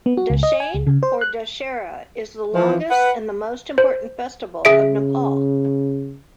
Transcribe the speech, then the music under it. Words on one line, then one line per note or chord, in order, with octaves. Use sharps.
Dashain or Dusshera is the longest and the most important festival of Nepal.
B3
F#4
C#2
D#5
G#5
C#2
C#3
C5
F#6
E3 F3
B4 F#5
C5
C#3 G#4 E5 D7